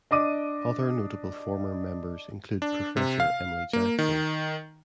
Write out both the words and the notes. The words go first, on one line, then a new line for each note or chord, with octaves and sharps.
Other notable former members include Professor Emily Jackson.
D4 D#5 D6 D#7
D4
C3
F5
A#3
D#3